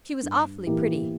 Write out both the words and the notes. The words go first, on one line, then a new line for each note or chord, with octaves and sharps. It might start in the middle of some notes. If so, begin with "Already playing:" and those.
She was awfully pretty.
G2
E3 A#3 E4 G4